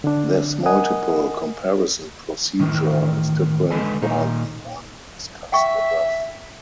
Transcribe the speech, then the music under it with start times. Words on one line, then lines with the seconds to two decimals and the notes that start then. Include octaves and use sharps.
This multiple comparison procedure is different for the one discussed above.
0.04 D3 D4
0.66 A#4 D#5 F#5 G#5 D#6
2.60 A2 D#3 E3 A#4
3.71 D3 G#3 A4 B4 D#5 G#5
4.02 A#2 D#3 D#4
5.52 E5 F#5 G5 C#6